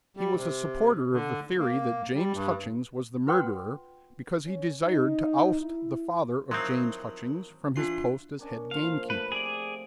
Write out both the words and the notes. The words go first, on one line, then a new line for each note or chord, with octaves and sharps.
He was a supporter of the theory that James Hutchings was the murderer because he desired to oust the father of James Hutchings from his post as head-gamekeeper.
G3
C3
D3
A#3
G3
G2
F4 B4 F#5 G5 C6
C#4
D#4
E4
D#3 F3 F#3 C4 E4 C6 D#6 G6
E3 D4 F4 C7
C#4 D4 A#4
A#2 F3 F4 F5
A3 B4
C3 G#4 D5